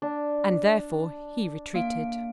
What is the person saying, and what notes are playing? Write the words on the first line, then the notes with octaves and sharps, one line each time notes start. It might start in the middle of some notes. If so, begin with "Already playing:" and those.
And therefore he retreated.
D4
A#3 F5 D7